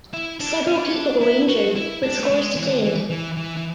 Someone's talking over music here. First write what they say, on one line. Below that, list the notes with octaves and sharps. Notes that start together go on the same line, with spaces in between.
Several people were injured with scores detained.
E4
D4
C#4
D4
C#4
D4
E4
F#4
E4
D4
A3
G#3
E3
D3
E3
E3
E3
E3